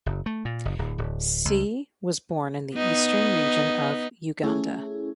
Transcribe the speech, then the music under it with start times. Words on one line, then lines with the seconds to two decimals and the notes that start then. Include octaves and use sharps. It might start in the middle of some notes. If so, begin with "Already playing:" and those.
Se was born in the Eastern Region of Uganda.
0.06 F#1
0.26 A3
0.45 A#2
0.65 F#1
0.79 D1
0.98 D1
1.45 C#2
2.75 B3 D#4
4.43 A3 C#4 E4 G#4